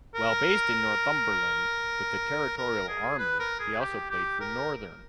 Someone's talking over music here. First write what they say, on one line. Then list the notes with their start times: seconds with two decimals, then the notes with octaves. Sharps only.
While based in Northumberland with the Territorial Army he also played for Northern.
0.15 A#4
2.58 A#4
2.89 G#4
3.19 B4
3.39 A#4
3.60 G#4
3.80 G4
4.11 G4
4.41 A#4